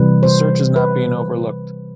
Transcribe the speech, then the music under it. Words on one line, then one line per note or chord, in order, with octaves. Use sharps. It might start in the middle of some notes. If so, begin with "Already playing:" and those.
The search is not being overlooked.
Already playing: C3 E3 G3 B4
C5
B4